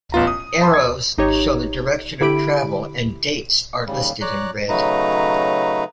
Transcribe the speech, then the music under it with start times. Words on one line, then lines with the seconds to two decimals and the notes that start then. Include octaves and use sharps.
Arrows show the direction of travel and dates are listed in red.
0.12 A1 B3 F4 A#5
0.27 D#6
0.61 A5 B5 C6
0.74 G#6
1.18 G#1 D#4 G4 C#5
2.21 D3 E4 G4 B5 D7
3.87 D#2 C#3 G3
4.21 C#5 D5 A#5 F#6
4.69 C#3 F#3 A3 D#4 B4 A#5